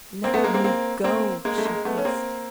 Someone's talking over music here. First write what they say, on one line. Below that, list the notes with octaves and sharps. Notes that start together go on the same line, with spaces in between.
"Let me go!" she hissed.
A#3 C4
A3 B3
G#3 A#3
A#3 C4
A#3 C4
A#3 C4
G#3 A#3
A3
G#3 A#3
A3 B3
C#4
A#3 C4